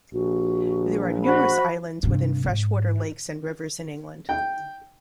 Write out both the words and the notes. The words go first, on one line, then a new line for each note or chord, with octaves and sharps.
There are numerous islands within freshwater lakes and rivers in England.
A#1 F#4
F#4 C5 B5
G2 C3
G#2
G5